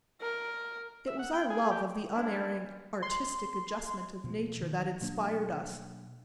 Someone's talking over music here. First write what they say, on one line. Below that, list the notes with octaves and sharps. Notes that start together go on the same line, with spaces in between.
It was our love of the Unerring Artistic Adjustment of Nature that inspired us.
A#4
E5
F#5
G5
G#4
G4
E2 F#3 G#3 C#4 D4 E4
C6
B2 F3
D#3 E3
B2 F#3 A#3 D4